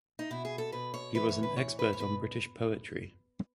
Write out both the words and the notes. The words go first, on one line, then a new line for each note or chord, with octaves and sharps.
He was an expert on British poetry.
D#4
B2 E4
G#4
A4
B2 B4
C#5
A2 E3 B4
C#5
B4
A2 E3 C#5
B4
C#5
B2 B4